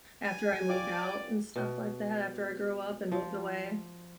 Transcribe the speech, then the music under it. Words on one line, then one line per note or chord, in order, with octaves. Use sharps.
after I moved out and stuff like that, after I grew up and moved away,
G#5
F4 D5 F5 G5 D6
B2
F3